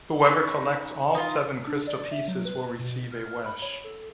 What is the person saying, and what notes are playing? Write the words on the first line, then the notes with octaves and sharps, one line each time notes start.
Whoever collects all seven crystal pieces will receive a wish.
C#4 D#4 B4
D#4 F4
D4
D5
E5
F#3
B4
B2
F6
B5
C#5
A4